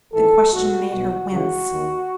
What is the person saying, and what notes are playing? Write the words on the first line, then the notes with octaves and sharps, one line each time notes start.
The question made her wince.
G#1 G#2 E3 A4
B1 B2 F#4
B1 B2 F#4
C#2 C#3 E3 F#4
D#2 D#3